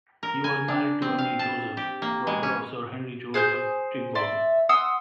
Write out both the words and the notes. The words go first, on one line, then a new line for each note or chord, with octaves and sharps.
He was married to Emily Joseph, daughter of Sir Henry Joseph Tichborne.
A#4
G#5
D4
C4
F5
A5
G4
A#3
G#3
C#4
G#4 C5 F#6 G6
D5 E5 C6
F#5 C6 D#6 E6